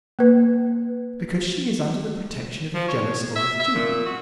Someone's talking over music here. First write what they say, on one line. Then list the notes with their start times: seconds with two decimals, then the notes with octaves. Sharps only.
"Because she is under the protection of a jealous old duke."
0.19 A#3 B4
2.75 F3
2.89 C#5
3.36 E5
3.60 E5
3.75 A#2
4.06 F#4